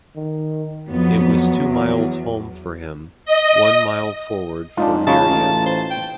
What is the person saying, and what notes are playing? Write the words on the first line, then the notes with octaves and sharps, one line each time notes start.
It was two miles home for him, one mile forward for Miriam.
D#3
F2 F#3 B3
E2
D#5
G#2 D4 D#4 F4
C#3 D#4 F4 C#5 A5
A1
C5
G5